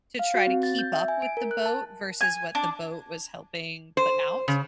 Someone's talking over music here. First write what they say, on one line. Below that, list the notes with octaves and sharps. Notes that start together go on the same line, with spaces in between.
to try to keep up with the boat versus what the boat was helping put out,
F5
F#4
C4
A6
G6
E5
G#5
D7
A#4
F#6
A5
G#5
D4
C5
C#3